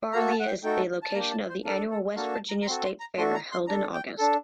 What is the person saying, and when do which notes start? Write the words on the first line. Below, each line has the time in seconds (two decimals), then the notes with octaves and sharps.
Fairlea is the location of the annual West Virginia State Fair, held in August.
0.13 A#3 F#4 A4 A#5
0.31 A5
0.40 F#5
0.47 G5
0.63 A3 D#4 F#4 A4 G5
1.03 A5
1.14 A#3 D4 G4 A#5
1.31 A5
1.49 C5
1.65 D4 A4 A#4
1.90 A4
2.16 A#3 D4 F#4 A4 A#4
2.33 A5
2.49 A#5
2.62 A#5
2.66 C4 F#4 A4 C6
2.84 C6
3.00 A#5
3.17 A3 D4 F#4 A4 C6
3.34 A#5
3.52 C6
3.67 D4 A4 A#5
3.94 G5
4.18 D4 A4